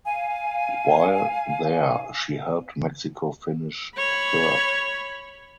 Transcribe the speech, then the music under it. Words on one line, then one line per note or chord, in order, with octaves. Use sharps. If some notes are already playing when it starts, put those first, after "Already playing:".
While there she helped Mexico finish third.
F5 G#5
C#5 B5